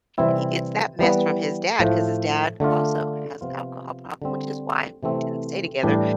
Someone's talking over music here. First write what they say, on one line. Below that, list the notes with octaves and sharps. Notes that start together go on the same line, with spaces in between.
and he gets that mess from his dad 'cause his dad also has an alcohol problem, which is why we didn't stay together
C3 E3 G3 C4 E4
E3 G3 B3
A2 F3 A3
D3 A3 D4 F4
C3 F3 B3 F4
D3 G3 C4
C3 E3 A3 C4
A2 E3 G3 D4